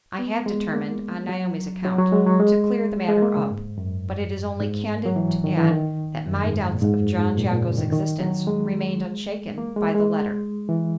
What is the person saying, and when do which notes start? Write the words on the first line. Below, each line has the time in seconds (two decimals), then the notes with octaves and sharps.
I had determined, on Naomi's account, to clear the matter up; but it is only candid to add that my doubts of John Jago's existence remained unshaken by the letter.
0.19 B3
0.46 G#3
0.74 A#3
1.29 F#3
1.85 F#3
1.98 F#3
2.12 G#3
2.26 F#3
2.40 G#3
3.09 G#3
3.22 A#3
3.37 C#3
3.51 G#2
3.78 F#2
4.60 G#2
5.06 F#3
5.16 E3
5.44 D#3
5.58 E3
5.71 D#3
6.27 F#2
6.44 G#2
6.74 A#2
6.82 G#2
7.00 F#2
7.19 G#2
7.37 A#2
7.51 A#2
7.65 C#3
7.78 D#3
7.92 D#3
8.20 F#3
8.47 G#3
9.58 A#3
9.76 G#3
9.94 G#3
10.69 E3